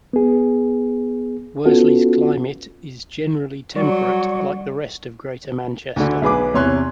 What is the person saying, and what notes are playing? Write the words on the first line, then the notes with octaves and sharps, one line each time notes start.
Worsley's climate is generally temperate, like the rest of Greater Manchester.
B3 G#4
B3 C#4 F4 F#4 A4
F#3 G3 D5 C#6
D2 D3
B1 G#4 B4 D6
E2 C3 C#5 C6 F#6